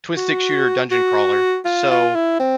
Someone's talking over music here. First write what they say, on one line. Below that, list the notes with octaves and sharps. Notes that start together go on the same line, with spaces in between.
twin-stick shooter dungeon crawler, so
F#4
F#4
F4
F4
E4
C4